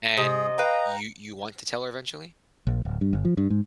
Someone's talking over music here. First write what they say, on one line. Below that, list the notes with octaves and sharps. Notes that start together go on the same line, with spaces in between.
And you you want to tell her eventually?
C3 G#4 D#5
B4 F5 G5 A#5
A#1
D1
G2
G1
F3
G2
G#2